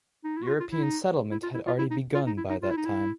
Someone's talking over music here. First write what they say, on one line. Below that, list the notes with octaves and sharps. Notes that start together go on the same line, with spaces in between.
European settlement had already begun by that time.
D#4
E4
F#4
F4
F4
E4
D#4
E4
F4
E4
F4
E4
D#4
F4
D#4
E4
D#4
F4
E4
D#4
E4